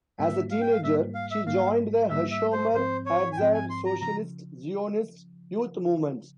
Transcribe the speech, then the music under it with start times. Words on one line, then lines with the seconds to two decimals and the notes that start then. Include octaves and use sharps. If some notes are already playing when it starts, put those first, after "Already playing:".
As a teenager she joined the HaShomer HaTzair Socialist-Zionist youth movement.
0.19 G#2 G3 A#3 E5
0.51 F5
0.61 G5
0.72 F5
0.83 G#2 G3 A#3 E5
1.15 F5
1.31 E5
1.47 G#2 G3 A#3 F5
2.10 G#2 G3 A#3 E5
2.31 E5
2.53 C5
2.74 G#2 F3 C4 C5
3.06 C#5
3.32 G#5
3.37 G#2 F3 C4 G5
3.54 G#5
3.70 C6
3.85 A#5
4.01 C#3 F3 A#5